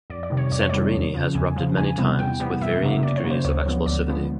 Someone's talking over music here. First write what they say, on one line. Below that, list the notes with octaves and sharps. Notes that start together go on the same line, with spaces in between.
Santorini has erupted many times, with varying degrees of explosivity.
F2 D5
D5
C3 D#3 G3
C#5
F2 D5
C#5
C3 D#3 G3 D5
E2
C#3 F3
E2 G#5
C#3 F3
E2 G#5
C3 E3 G3 B3
E2 G5
C3 E3 G3 B3
F#2 E5
C#3 F#3 A#3
F#2 D5
C#5
C#3 F#3 A#3
C5
D2 C#5
D3 F3 G#3 B3
D2 D5
D3 F3 G#3 B3